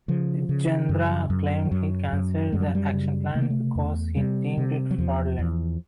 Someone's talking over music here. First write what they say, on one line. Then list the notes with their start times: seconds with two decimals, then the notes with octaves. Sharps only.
Tjandra claimed he canceled the action plan because he deemed it fraudulent.
0.08 C#3 F3
0.49 C#3
0.89 F#2
1.30 F#2
1.65 F3
1.71 F#2 F#3
2.13 F#2
2.52 F#2 G#3
2.60 G3
2.67 F#3
2.75 G3
2.93 C#3
3.35 C3 A3
3.42 A#3
3.50 A3
3.75 E2
4.16 C3 G3
4.57 C3
4.91 F#3
4.98 E2 F3
5.39 E2